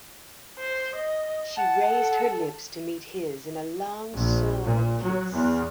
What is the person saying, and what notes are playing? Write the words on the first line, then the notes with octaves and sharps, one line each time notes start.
She raised her lips to meet his in a long, soul kiss.
C5
D#5
F#5 A5
A4
A#1
A#2
F#3
E2